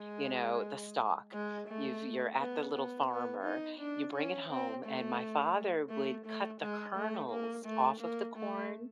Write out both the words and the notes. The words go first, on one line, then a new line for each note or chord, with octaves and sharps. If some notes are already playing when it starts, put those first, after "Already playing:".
you know, the stalk. You've you're at The Little Farmer, you bring it home, and my father would cut the kernels off of the corn,
Already playing: G#3
G#3
A3
B3
B3
B3
D#4
D4
C#4
C4
A3
A3
A3
G#3
A3
A#3
A3
A#3
A3